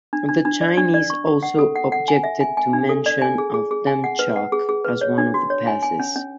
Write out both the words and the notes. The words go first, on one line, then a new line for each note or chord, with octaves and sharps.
The Chinese also objected to the mention of Demchok as one of the passes.
D4
D4
D4
D5
D4
D5
C#6
C#6
F#5
A4
F#5
F#5
G#5
E5
G#5
G#5
D4
A4
D5
G#5
G#4
G#4
G#4
G#5
F#5
B4
F#5
G#4
G#4
B4
C#5
D4
F#4
C#5
G#5
G#5
C#4
C#4